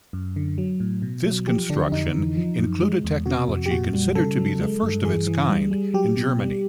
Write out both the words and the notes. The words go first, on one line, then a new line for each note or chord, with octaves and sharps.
This construction included technology considered to be the first of its kind in Germany.
F#2
D3
F#3
A2
B2
F#3
F3 G4
D3 D4
F2 D#4
E3
F3
F#2
G#3
E2
C3 F#4
F2
G4
A#2 F#4
G3
C#3 A4
F#3
G#3
G2
E3 G#4
E3
G3
G3
F#3 G4
B2
G3